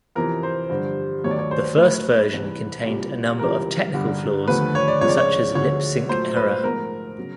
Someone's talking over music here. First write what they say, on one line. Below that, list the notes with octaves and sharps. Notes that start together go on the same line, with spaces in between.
The first version contained a number of technical flaws such as lip-sync error.
F2 C3 E3 A#4
C5
G2 D3 F3
D#2 D#3 F#3 A3 C#5
D5
C#5
C5
A2 F#3 A3 B4
C2 C3 E3 G3
C2 A#2 G3
C#2 C3 E3 G3 A#4
G2 D3 G3
D#2 D3 F3 A3 B4
C#5
D5
C#2 C#3 F3 G#3 C#5
D5
C#5
D2 D3 F3 G#3 C#5
A#2 F#3 A3 C5
B4
G#2 F3 A3 A#4
C#3 F#3